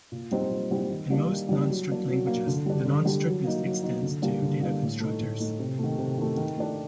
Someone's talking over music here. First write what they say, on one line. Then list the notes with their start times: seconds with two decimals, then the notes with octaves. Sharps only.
In most non-strict languages the non-strictness extends to data constructors.
0.12 A#2
0.31 G3 C4 D#4
0.50 A#2
0.71 G3 C4 D#4
0.90 D#3
1.10 G3 A#3 D4
1.29 D#3
1.49 G3 A#3 D4
1.68 F#3
1.88 A#3 D4
2.08 F#3
2.26 A#3 D4
2.47 D3
2.66 G3 D4
2.85 D3
3.05 G3 D4
3.25 F#3
3.44 A#3 D#4
3.63 F#3
3.83 A#3 D#4
4.02 D3
4.22 G3 A#3 D4
4.42 D3
4.62 G3 A#3 D4
4.81 A2
5.00 A3 D#4
5.20 A2
5.40 A3 D#4
5.59 C3
5.78 A3
5.84 D#3
5.98 C3
6.18 D#3 A3
6.37 D#3
6.57 A3 D4